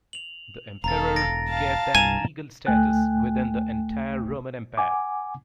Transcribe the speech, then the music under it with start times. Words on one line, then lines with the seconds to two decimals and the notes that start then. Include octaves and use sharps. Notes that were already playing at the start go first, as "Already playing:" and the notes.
The emperor gave them legal status within the entire Roman Empire.
0.13 F7 F#7
0.84 E1 A4 F5 A#5 A6
1.16 A6 A#6 D7
1.48 F5 A5
1.95 C2 G2 G#5 A#5 A6 E7
2.67 D2 A3 G5 G#5 F#6
4.78 F#5 G#5 D6